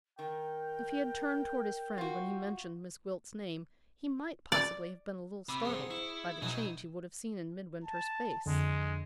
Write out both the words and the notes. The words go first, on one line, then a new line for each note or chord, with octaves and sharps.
If he had turned toward his friend when he mentioned Miss Gwilt's name he might possibly have been a little startled by the change he would have seen in Midwinter's face.
D#3 A#4 G5
F4 F#4
D5
C3 B5 D6 E6
G#2 G#3 G#4 D#6 C#7
E4 C#6
B2 F#3 C#4 D#4 E4 E7
A5
F2 D3 G#3